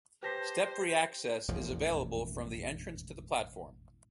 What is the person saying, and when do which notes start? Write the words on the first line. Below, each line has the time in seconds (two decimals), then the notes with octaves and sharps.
Step-free access is available from the entrance to the platform.
0.23 G4 B4 C5 A5 A#6 B6
1.48 E1 A1 F2 F3